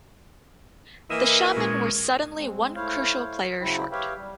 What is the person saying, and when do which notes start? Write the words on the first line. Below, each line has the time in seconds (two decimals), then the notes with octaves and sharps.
The Shamen were suddenly one crucial player short.
1.10 E3 A#3 D#5 E5
1.57 A#2 G#3 C#4
2.36 G#3 C4
2.75 A3 E4 C5 C#5 F5
3.61 C#3 F#3 E4 C5 G5
3.92 G4 B4 C#5 E5 F5 G5
4.17 G3